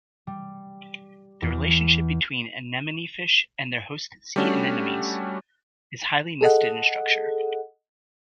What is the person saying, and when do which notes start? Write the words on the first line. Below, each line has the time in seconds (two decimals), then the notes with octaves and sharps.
The relationship between anemonefish and their host sea anemones is highly nested in structure.
0.27 G3
1.42 E2
4.36 G3 A3 C#4 D4 F#4
6.41 G#4 A4 D#5 F#5